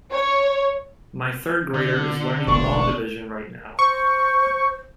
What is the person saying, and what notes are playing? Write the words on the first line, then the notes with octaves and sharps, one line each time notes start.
My third grader is learning long division right now.
C#5
D3
E1 A1 D3 D4 C#6
C5 C#6